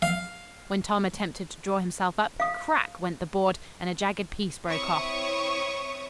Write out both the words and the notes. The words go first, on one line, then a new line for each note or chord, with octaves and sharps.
When Tom attempted to draw himself up, crack! went the board, and a jagged piece broke off.
F5
F5 D#6
C4 E4 C#5 C#6 D#6